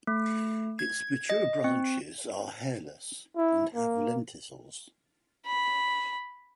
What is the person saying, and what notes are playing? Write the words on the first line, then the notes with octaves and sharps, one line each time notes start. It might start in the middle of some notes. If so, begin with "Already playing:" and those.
Its mature branches are hairless and have lenticels.
A3
G#6
D#5
C4
E4
A#3
B5